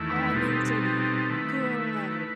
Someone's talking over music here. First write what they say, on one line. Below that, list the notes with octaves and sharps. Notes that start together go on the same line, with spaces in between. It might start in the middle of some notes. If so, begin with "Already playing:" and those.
Oh, amazing. Good.
Already playing: E2 D#3 A3 E4
B4
B2 G3 C4 D#4 A4
D#3 A3 E4 B4